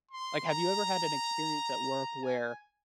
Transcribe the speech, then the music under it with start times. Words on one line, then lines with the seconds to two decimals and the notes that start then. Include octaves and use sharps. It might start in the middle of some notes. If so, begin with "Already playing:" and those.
like, have you ever had an experience at work where
0.11 C6
0.47 A#5
2.24 G#5